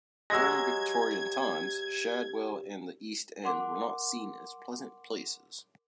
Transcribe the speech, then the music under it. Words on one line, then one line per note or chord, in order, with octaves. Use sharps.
During Victorian times, Shadwell and the East End were not seen as pleasant places.
F#3 G#3 G4 E6 F#6 G#6 A#6
A#4 F#5 C6 D6